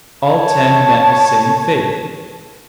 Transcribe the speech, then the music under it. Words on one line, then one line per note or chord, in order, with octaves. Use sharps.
All ten met the same fate.
C#5 A5